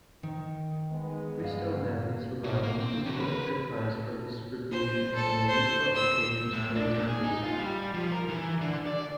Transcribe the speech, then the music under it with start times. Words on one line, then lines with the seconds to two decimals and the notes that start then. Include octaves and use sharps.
Crystal Analysis relies on Crystal Enterprise for distribution of analytical applications created with it.
0.23 D#3
0.92 G#3 B3
1.39 G2 F5
2.44 B2
2.63 A#3
2.80 C4
3.06 E2 F#4
3.19 A#4 B4
4.71 C5
5.15 A4
5.48 C5
5.96 E6
6.53 A2
6.76 D4
6.95 A#2
7.08 G#4
7.24 D#4
7.43 F4
7.58 G3
7.94 F3
8.12 A#4
8.30 E3
8.61 D3
8.87 D5